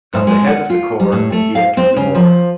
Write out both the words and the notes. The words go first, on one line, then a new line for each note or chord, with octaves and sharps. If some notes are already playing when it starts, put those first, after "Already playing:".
At the head of the corps he entered the war.
G#2
G#3
F#5
F4
G3
A2
A3
F5
C4
C#3
F3